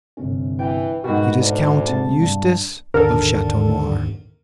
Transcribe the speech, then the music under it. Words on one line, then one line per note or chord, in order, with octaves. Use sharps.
"It is Count Eustace of Chateau Noir."
G1 C3 C#4
E3 G5
G#2 B2 F#4 A#4 G5 B5
D2
C3 G#3 A5
G2
D#2 G#2 D3 D#3 A4 A#4